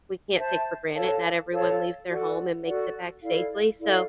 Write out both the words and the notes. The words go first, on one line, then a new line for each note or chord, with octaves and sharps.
we can't take for granted, not everyone leaves their home and makes it back safely, so,
C5 E5 A5
A4 C#5 F5 A5
A4 C#5 F5 A5
F#4 A4 D5 F#5
F#4 A4 D5 F#5
E4 A4 D5 F5
E4 A4 D5 F5